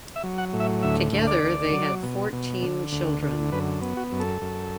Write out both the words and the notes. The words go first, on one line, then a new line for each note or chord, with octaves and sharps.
Together they had fourteen children.
E5
F#3
F#5
A2
E5
D2 E5
D2
D5
D2
F#3
B2
B2
D3
D2
D3
F#2 B4
B3
F#4
F#2
A4
F#2